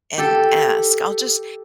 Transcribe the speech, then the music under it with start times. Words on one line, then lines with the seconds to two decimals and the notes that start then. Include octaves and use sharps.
and ask, I'll just
0.18 G4 A4